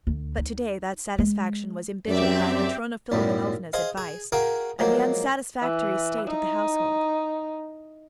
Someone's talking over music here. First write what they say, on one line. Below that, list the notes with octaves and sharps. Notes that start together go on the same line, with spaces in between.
But today that satisfaction was embittered by Matrona Philimonovna's advice and the unsatisfactory state of the household.
D2
D#4
G#3
F#2 C4 G4 D5 E5
B1 F#2 A2 G3
G#4 C5 D#5 F5
G#4
F#4 G#4 A#4 F5 G5
F3 F#3 G#3 A#3
E3
D#4